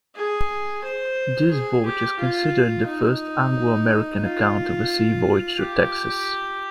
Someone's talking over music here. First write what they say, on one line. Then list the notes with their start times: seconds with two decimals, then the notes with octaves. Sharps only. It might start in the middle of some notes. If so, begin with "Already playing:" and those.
This voyage is considered the first Anglo-American account of a sea voyage to Texas.
0.15 G#4
0.84 C5
1.51 G#4
1.85 G4
2.19 F4
2.87 D#4
4.23 F4
5.58 G4